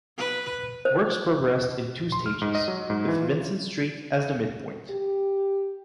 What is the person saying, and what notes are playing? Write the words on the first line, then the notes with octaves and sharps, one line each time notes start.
Works progressed in two stages, with Vincent Street as the midpoint.
B4
C5
C6
F6
G#2
D#5
F#3
G#2
E3
F4
G4